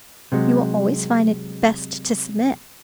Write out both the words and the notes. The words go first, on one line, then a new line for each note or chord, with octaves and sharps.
You will always find it best to submit.'
C3 F#3 G#3